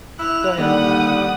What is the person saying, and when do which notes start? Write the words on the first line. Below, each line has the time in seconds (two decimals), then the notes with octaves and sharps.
go ahead.
0.19 E4 F#6 F7
0.58 D#2 D3 G3 F#5 D#6